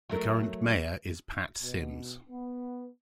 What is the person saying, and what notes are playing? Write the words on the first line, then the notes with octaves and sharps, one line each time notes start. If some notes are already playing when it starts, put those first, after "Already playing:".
The current mayor is Pat Sims.
F#3 A3 A#4
B2
B3